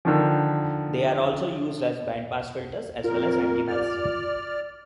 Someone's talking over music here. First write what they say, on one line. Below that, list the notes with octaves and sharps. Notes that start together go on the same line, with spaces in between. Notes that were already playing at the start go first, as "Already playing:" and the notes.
They are also used as bandpass filters as well as antennas.
D3 D#3 F3
F2 F4 A#4
D5 F6